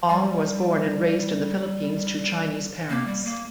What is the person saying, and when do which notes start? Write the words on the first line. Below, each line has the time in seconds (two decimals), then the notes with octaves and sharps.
Ong was born and raised in the Philippines to Chinese parents.
0.09 G3
2.90 A#3
3.07 G3
3.25 A#3